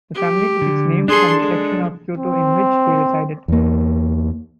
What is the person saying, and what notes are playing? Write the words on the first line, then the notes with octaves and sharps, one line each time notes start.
The family took its name from the section of Kyoto in which they resided.
G4
D3
D4 G#4 A4 C6
G#3
C4
E2 A#3